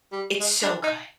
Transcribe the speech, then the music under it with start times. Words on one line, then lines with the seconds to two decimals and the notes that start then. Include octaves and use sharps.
it's so good.
0.12 G3
0.40 G#3
0.63 D4
0.84 D#4